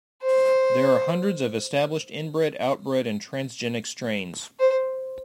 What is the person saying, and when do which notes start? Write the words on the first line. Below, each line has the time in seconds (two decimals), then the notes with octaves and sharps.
There are hundreds of established inbred, outbred, and transgenic strains.
0.23 C5
4.59 C5